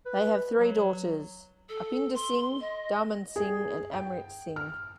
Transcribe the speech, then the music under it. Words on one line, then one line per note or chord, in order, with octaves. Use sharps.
They have three daughters, Upinder Singh, Daman Singh and Amrit Singh.
B4
F#3
A4
C6
D#5
G#4
G5
F6